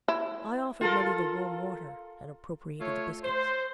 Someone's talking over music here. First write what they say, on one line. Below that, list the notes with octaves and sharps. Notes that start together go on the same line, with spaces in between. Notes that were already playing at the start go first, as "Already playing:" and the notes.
I offered mother the warm water, and appropriated the biscuits.
E4
F4 A4 A#4
A3 F4 C#5
C5